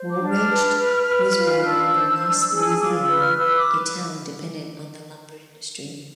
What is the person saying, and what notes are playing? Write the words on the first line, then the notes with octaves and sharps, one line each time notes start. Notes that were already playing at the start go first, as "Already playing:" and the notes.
Woolridge was born in Bernice, Louisiana, a town dependent on the lumber industry.
Already playing: C5
D6
D4
F6
B4
B4
B4
F4
D4 E6
C5
D4
G#4
F4 D6
E6
B4
F6
B4 E6
D6